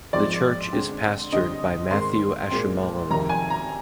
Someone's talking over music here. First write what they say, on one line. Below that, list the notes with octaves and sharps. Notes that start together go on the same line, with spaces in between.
The church is pastored by Matthew Ashimolowo.
G#2 F3 G#3 C4 D5
D3 G#3 C4
D3 G3 C4 D#5
G#2 D#3 G#3 C4 C6
A#2 G#3 C4
F2 C3 D#3 A#5
G#5
A#5